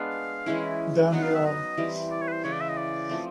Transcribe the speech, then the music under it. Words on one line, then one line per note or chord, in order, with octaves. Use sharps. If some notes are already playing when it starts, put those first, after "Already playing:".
Damn you all!
Already playing: G#3 B3 D4 F5
E3 G#3 C#4 E4
F#3 B3 D#4 F#4 F#5
F5
E5
D#5
E3 G3 C4
D5
C#5
B4
C5
C#3 E3 G#3 C#5
D5
E5
D#5
D5
F3 A3 C4